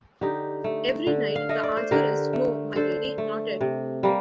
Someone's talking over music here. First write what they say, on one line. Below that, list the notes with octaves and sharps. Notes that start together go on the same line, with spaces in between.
Every night the answer is, "No, my Lady, not yet."
D3 D#4 G4
A3
D3
F5
A3 D#5
D5
C5
D3 G4 A#4
A3
D3 A4 C5
A3
C3
G3 A#3